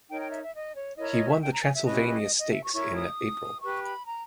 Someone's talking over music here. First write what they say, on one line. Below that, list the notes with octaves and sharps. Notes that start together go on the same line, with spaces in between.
He won the Transylvania Stakes in April.
D#4 A#4 C#5 G5
G5
E5
E5
D#5
C#5
E4 A#4 C#5 D#5
D#5
E5
G5
A#5
G#5
E5
C#4 E4 G4 B4 D#5
D#5
D#5
E5
C#6
E4 A#4 C#5 C#6
D#6
G4 B4 C#6
B5
A#5